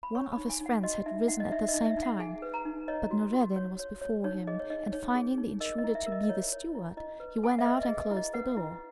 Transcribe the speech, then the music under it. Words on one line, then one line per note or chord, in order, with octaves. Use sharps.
One of his friends had risen at the same time, but Noureddin was before him, and finding the intruder to be the steward, he went out and closed the door.
B5
C#5 C#6
B5
D#4
G#5
D#4
F#5
F#4 D#5
D#4 E5
D#4 F#5
D#5
D#4 E5
D#5
D#4
E5
D#4
F#5
G#4 G#5
B4
A#5
D#4
C#5 D#5
F#4
F#4
C#5
C#5
C#5
D#4 C#5
G#4 D#5
C#5
D#4 D#5
D#4 C#5
G#4
D#4
A#4 D#5
D#5
E4
E5
A#4
D#5
D#5
E4 C#5
C#5
E4
E4 D#5
B4
G#4 G#5
F#5
E5
B4 D#5
D#5
G#4
D#5
E4
D#5
B4 F#5
E4